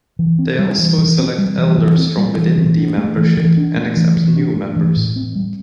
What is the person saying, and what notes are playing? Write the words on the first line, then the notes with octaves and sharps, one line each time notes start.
They also select elders from within the membership and accept new members.
E3
C4
G3
E3
E3
C4
G3
E3
E3
C4
G3
E3
E3
D4
A3
E3
E3
D4
A3
E3
E3
D4
A3
E3
A2
C4
G3